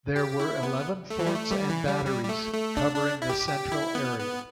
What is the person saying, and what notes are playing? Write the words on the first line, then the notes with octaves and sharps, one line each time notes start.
There were eleven forts and batteries covering the central area.
G4
E4
B3
A3
E3
G3
A3
G3
E3
G3
G3
G3
A3
A3
D4
D4
E4
G4
G4
E4
B3
B3